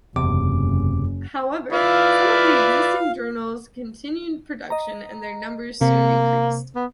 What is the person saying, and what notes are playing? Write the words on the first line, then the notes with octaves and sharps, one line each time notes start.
However, some of the existing journals continued production and their numbers soon increased.
F#1 E2 C3 D6
E4 F4 B4 D5 E5 F5
D#5 A#5
C3 A#3
B3